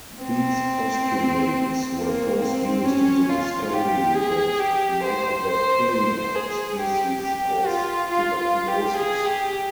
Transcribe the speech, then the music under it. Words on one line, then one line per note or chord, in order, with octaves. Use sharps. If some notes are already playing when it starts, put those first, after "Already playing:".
These postulates were first used in the discovery that Mycobacteria species cause tuberculosis.
C4
A#3
C4
C#4
F4
G4
G#4
G4
C5
C5
C5
G#4
G4
G4
F4
F4
F4
G4
G#4
G4